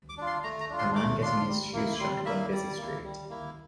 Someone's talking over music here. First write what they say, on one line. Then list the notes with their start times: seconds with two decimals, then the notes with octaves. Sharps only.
A man getting his shoes shined on a busy street.
0.09 D6
0.17 D4 F4
0.27 C6
0.44 A3 A#5
0.60 A#5
0.70 D4 F4
0.78 C6
0.95 A3 D6
1.22 D4 F4 C6
1.48 G3
1.73 A#3 E4
1.99 G3 C6
2.25 A#3 E4 E5
2.51 G3 D5
2.77 A#3 E4
3.04 G3
3.29 A#3 E4